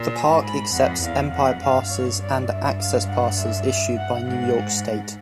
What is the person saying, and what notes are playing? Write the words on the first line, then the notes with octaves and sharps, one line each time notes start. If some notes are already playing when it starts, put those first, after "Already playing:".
The park accepts Empire Passes and Access Passes issued by New York State.
Already playing: A#2
G#5
G#2
B5
F2 F#5
E2 F5
F2 F#5
G2 F5
C#5
D5
E5
F5
F#5
E5
E5
F#5
G#2 F#5